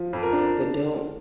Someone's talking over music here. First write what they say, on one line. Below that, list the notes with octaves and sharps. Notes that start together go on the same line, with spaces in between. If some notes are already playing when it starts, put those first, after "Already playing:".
but don't
Already playing: F3
F2
A#4
D4